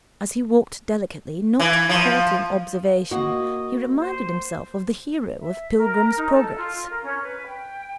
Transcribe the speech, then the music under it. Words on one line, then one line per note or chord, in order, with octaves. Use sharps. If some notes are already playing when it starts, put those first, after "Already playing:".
As he walked delicately, not courting observation, he reminded himself of the hero of 'Pilgrim's Progress'.
E3
F3
A#3 F#4 D#5
C5
E5
A#4
D#4
A4
F4
A#4
C#4
B4
G5